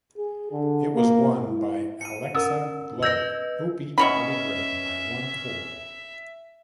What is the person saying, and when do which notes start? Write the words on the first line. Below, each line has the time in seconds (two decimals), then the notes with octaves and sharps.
It was won by Alexa Glover who beat Molly Graham by one hole.
0.17 G#4
0.52 D3
0.95 A#3
1.47 E4
2.01 C#7 D#7
2.35 C#4 A#4 D#6 E6
3.03 B4 D#5 E6 G6 A#6
3.98 B2 C#4 C#5 E5 B5